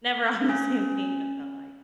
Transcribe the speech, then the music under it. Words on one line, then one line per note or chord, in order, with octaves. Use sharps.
never on the same team, it felt like,
C#4